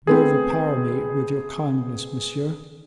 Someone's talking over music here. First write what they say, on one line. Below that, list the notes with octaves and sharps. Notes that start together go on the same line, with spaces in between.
"You overpower me with your kindness, monsieur."
A3 B3 C4 G#4